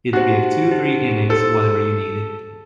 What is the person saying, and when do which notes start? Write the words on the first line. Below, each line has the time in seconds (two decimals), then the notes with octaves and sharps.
He'd give two, three innings - whatever you needed.
0.13 D#4 F#4 G4 C5
0.71 D#4 G4 C5
1.29 D#4 G4 A4 C5